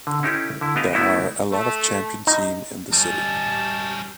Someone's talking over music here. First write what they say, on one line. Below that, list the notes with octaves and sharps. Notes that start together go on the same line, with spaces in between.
There are a lot of champion team in the city.
D3
C#4 D#4 E4 G4 A4
D3 E4
B3 G4 D#5 F5
A3 B3 E4 F#4 G4
A3
D#4
G3 C#4 G4 D#5 A5